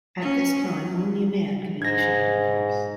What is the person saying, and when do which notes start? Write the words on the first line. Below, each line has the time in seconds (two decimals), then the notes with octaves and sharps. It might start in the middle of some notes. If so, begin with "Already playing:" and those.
At this time only a man could initiate a divorce.
0.21 C#4
0.65 F#3
1.82 G#2 G#6 A#6